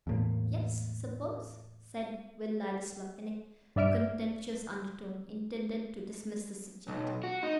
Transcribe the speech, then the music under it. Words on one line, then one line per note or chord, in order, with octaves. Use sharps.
"Yes, suppose!" said Will Ladislaw, in a contemptuous undertone, intended to dismiss the subject.
E2 A2 A#3
G2 D5 E5 F6 D7
B1
F#4
D#4